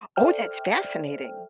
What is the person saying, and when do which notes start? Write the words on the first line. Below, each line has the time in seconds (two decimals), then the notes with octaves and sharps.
Oh, that's fascinating.
0.16 A4 C5 D5 E5 G5 F6